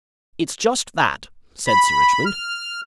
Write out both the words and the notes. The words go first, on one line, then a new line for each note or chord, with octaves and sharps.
"It's just that," said Sir Richmond.
B5
F6